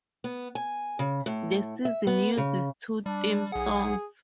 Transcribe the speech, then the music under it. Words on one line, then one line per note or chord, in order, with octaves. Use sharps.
The season uses two theme songs.
B3
G#5
C#3
A2
E5
B3
C#3
G3 D4
B1 G#4 F#5